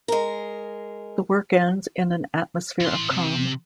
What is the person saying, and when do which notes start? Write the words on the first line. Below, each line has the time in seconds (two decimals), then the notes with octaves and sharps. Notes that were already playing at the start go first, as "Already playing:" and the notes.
The work ends in an atmosphere of calm.
0.08 G#3 A#4
2.81 E3 C6
3.10 C3